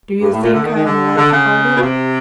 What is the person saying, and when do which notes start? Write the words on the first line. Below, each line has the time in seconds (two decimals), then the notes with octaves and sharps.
Do you think I'm light-hearted?
0.20 G2
0.32 A2
0.42 A#2
0.53 D3
0.64 D#3
0.74 D#3
0.85 D3
1.16 D3
1.32 C#3
1.74 B2
1.80 C3